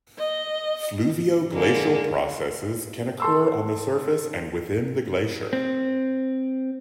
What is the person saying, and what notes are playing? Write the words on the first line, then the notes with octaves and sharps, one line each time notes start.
Fluvio-glacial processes can occur on the surface and within the glacier.
D#5
D3 G#3 A#3
A4 C6 E6
C4